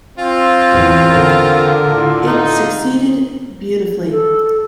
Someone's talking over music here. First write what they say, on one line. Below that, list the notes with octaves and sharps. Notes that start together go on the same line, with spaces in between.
It succeeded beautifully.
C4 F4
E2
D3 A#4
A2 F4
D#4
A4